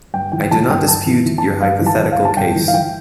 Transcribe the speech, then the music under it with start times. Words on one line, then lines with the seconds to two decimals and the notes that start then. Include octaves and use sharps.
I do not dispute your hypothetical case.
0.14 G2 G5
0.32 E3 G5
0.51 E3 A5
0.70 G2 G5
0.88 G2 A5
1.07 E3
1.26 E3
1.38 A5
1.44 G2
1.62 G2 F5
1.81 E3
1.86 A5
1.99 E3
2.12 F5
2.18 G2
2.25 A5
2.37 G2 G5
2.56 E3
2.68 F5
2.73 E3 G5